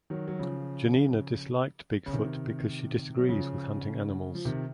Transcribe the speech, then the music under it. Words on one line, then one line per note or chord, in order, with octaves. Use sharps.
Janina disliked Big Foot because she disagrees with hunting animals.
D#3 F#3
F#3
C#3 F3
C#3
C3 D#3
F#3
C#3 F3
F3
C3 D#3